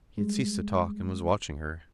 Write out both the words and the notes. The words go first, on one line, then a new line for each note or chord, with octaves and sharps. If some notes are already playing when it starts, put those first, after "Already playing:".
He had ceased to talk, and was watching her.
G3 G#3